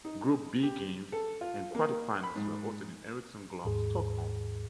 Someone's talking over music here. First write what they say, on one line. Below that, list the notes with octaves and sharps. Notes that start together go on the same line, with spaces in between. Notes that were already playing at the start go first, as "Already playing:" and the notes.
Group B games and quarterfinals were hosted in Ericsson Globe, Stockholm.
D#4
G4
A4
F4
A#3
B5
G#2
D#2 G#2 G#4